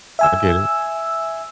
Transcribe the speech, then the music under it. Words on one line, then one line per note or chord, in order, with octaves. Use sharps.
I get it.
E5 G#5 E6